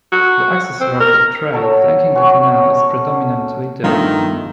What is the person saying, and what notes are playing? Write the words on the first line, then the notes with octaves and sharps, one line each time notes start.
The access road or "trail" flanking the canal is predominately dirt.
F#4
C4
A#4
F#3 A4 A#5
C#4 F#4 C#5
G2 D#3 F3 G3 A3 B3 D#4 F4